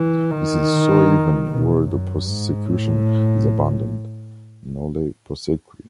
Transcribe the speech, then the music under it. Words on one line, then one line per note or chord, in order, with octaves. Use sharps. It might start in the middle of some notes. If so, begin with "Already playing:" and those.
This is so even where the prosecution is abandoned "nolle prosequi".
Already playing: E3
D#3
B2
F#2
G#2
A2